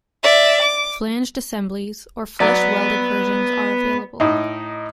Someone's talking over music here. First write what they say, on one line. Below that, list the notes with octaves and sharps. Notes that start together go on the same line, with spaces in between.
Flanged assemblies or flush welded versions are available.
D5 E5
D6
F#3 B3 D5
A2 D#4